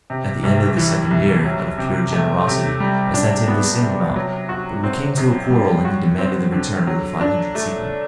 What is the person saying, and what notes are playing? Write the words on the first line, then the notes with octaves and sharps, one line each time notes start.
At the end of the second year, out of pure generosity, I sent him the same amount; but we came to a quarrel and he demanded the return of the five hundred sequins.
C3
C2
E3
C2
F#3
C3
A3
C3
G3
D4
B3
C3
F#3
F#4
C4
F#2
G3
F#4
C4
D3
F#3
D4
A3